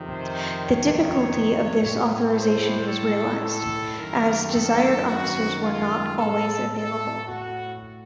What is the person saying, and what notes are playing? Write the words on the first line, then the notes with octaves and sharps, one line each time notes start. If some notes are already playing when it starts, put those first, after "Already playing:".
The difficulty of this authorisation was realised, as desired officers were not always available.
Already playing: F2 C3 D#3
C5
C#5
A2
C5
A4
A4
F#2 D#3 A#4
A4
F#4
F4
A2 A4
A4
F#4